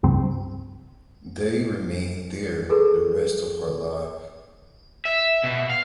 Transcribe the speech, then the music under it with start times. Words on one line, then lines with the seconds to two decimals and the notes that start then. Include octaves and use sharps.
They remained there the rest of her life.
0.03 C#2 G2 C4
2.70 G#4 A4 B4
5.05 E5
5.44 B2
5.70 F5